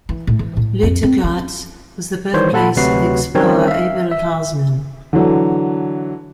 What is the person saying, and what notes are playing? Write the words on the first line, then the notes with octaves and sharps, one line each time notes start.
Lutjegast was the birthplace of the explorer Abel Tasman.
E3
A2
E3
A2
F2
C4
C#4
D#3 E3 G3 C5 C#5
A#2 F4 A4 F#5 A5 B5
D2 C3 F#3 F#4 B4 C7
D#3 G3 C4 C#4 A#4 C#5
E5 F5
E5
D3 E3 F#3